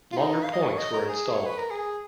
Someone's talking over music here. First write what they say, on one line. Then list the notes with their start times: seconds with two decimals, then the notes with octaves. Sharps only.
Longer points were installed.
0.12 F4
0.17 D#4
0.44 F5
0.53 D#5
0.63 C#5
0.78 D#5
0.94 A#4
1.09 G#4
1.34 C#5
1.46 B4
1.58 A#4
1.71 G#4